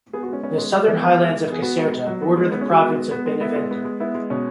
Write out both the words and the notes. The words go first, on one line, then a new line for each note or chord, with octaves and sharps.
The southern highlands of Caserta border the Province of Benevento.
B3 G#4
F#4
G#3 C#4
B3 C#4
G#3
G#3
E3 B3
B3
G#3
E3
B3 G#4
B3 F#4
G#3
B3
F#3
B3
G#3
B3
C#4
G#3
F#4
B3
G#3
B3
G#3
B3 E4
G#3
B3
G#3
B3 E4
G#3
B2 C#4